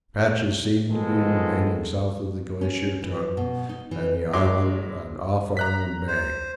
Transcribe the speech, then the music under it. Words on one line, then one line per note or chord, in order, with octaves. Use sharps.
Patches seem to be remaining south of the Glacier Tongue and the Island and off our own bay.
A2 D#3 F3 G#3 B3 A4
C#4
E3
B2
D#4
E3
A2 F#3 G#3 C6 D6
A#5 F#6 B6
C5